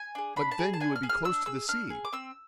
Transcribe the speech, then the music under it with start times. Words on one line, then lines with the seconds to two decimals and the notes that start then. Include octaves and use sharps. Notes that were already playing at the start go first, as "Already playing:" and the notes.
"But then you would be close to the sea?"
Already playing: G#5
0.15 D4 G#4
0.36 D4 B5
0.51 A5
0.59 G#4
0.74 A5
0.80 D4 G#5
0.96 F6
1.03 G#4
1.09 F6
1.25 D4 E6
1.46 G#4 E6
1.68 D4 F6
1.90 G#4
2.05 D6
2.12 C4 E6